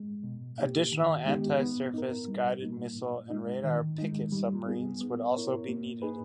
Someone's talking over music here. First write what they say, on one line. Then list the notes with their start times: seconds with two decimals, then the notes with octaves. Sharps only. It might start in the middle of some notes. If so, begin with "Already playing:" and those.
Additional anti-surface, guided missile, and radar picket submarines would also be needed.
Already playing: G#3
0.23 B2
0.58 A#3 D#4 G4
0.92 D#3
1.25 G#3 B3 D#4 G4
1.60 B3
1.94 D#4 A#4
2.28 G3
2.62 A#3 D#4
2.95 A#2
3.30 G#3 D#4
3.64 D#3
3.98 G#3 D#4
4.32 G3
4.66 B3 D#4 G#4
5.01 B3
5.34 E4 A#4 C#5
5.68 A#3
6.02 D#4 G#4 B4